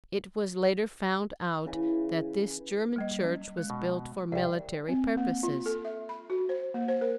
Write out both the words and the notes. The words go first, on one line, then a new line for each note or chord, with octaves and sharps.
It was later found out that this German church was built for military purposes.
C#3 E3 G#5 B5
G3 A#3 D#5
F#3 C#4
G#3
B2
C2 D5 G5
C4
A#3
F4
A4
E5
B5
F#4
C5
A#3
C5
A#4